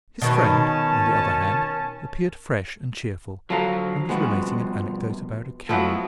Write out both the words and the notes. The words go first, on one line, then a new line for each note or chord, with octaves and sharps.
His friend, on the other hand, appeared fresh and cheerful, and was relating an anecdote about a cow.
B2 D#3 C#4 A5
D3 F3 F#3 F5 A#5
B2 F3 G3 G#3 B3 F#4
F3 F#3 A3 B3 E4